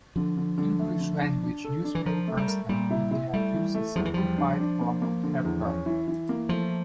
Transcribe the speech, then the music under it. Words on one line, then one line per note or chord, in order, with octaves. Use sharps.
English-language newspapers and media use the simplified form of Hepburn.
D3 F3
D3
D3
A3
D3
D4
D4
A4
D4
E3
F3 A#4
A3
G3
A#4
A#2 G3
E4
E4
G3 A3
E3
A3
E2 F3
E3
F3 G3
D4
D4
A#3
A#3
D3
E2
C#4
E3
E3
A#3
F3 A3